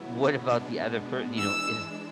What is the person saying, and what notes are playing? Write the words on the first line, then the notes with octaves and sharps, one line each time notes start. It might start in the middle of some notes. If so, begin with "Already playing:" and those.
what about the other per you know, is
Already playing: C#3 F#3 B3 E4
B2 G#3 B3 D4
E3 G#3 D4 E6